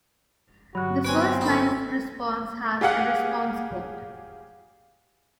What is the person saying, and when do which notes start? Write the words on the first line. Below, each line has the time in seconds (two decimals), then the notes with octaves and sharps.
The first line of a response has a "response code".
0.75 G2 D3 F#3 F#4
1.05 B3 C4 B4 C#5 G#5
1.41 D#4 A4 B5
2.81 G4 G#4 F5 F#5 F#6